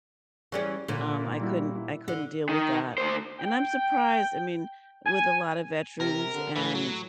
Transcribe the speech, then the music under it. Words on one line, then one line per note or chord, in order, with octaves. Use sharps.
um, I couldn't I couldn't deal with that, and I'm surprised, I mean, with a lot of veterans, and,
E3 G3 C#4 G#4 D5 C#6
A#2 D3 E3
G3 E4 F#4
E4
D3
D#3
D2 C5
G5
G#5
C3 A#4
D3
A2 E3
F#3